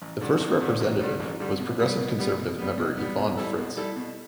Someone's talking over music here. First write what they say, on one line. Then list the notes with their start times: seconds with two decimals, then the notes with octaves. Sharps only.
The first representative was Progressive Conservative member Yvonne Fritz.
0.02 A1
0.21 G2 D3 G3
0.41 A1
0.60 G2 D3 G3
0.81 A1
1.00 G2 D3 G3
1.20 A1
1.40 G2 D3 G3
1.59 B2
1.79 G3 B3
1.99 B2
2.18 G3 B3
2.39 B2
2.59 G3 B3
2.78 B2
2.98 G3 B3
3.17 B2
3.37 G3 E4 A4
3.57 B2
3.77 G3 E4 A4
3.96 B2